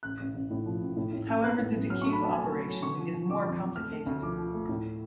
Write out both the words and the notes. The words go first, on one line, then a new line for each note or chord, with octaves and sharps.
However the dequeue operation is more complicated.
A1 F#6
A1
A1
A2
F3
A1
A2
A2
A1
B3 F#6
A2
A1
F#3 F6
C#6
A3
B5
F#3 A5
G#5
A3 A5
A3
F#3
D3 C#6
F3
F3
D3 D6
F2
F2
A3 F6
A3
D2
F3 D6
F3
A3
A2